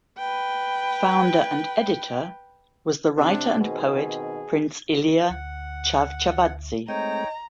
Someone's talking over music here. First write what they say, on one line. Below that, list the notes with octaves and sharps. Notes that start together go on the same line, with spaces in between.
Founder and editor was the writer and poet Prince Ilia Chavchavadze.
B4 G5
C3 C4 D4
B2 D#3 C4 G#4
D2 F#5
G#3 A3 C4 D#4 C#5 D#5 G5 A#5